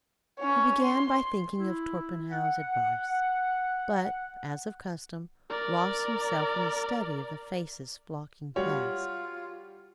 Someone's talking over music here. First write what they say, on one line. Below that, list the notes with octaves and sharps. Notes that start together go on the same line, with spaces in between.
He began by thinking of Torpenhow's advice, but, as of custom, lost himself in the study of the faces flocking past.
C#4 C#5
C6
E4
F#5
A#4 D5
G3 F4 F#4 C#5